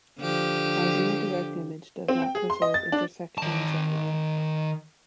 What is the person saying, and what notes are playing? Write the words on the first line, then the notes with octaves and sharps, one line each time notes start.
Finding a direct image does not preserve intersection in general.
D3 F3 G4
C4
G5
G#4
C6
D#5
A6
D4
D#3 A5